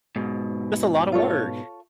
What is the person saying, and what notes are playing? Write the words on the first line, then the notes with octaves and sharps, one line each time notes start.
That's a lotta work.
G#2 B2
F4 A4 C#5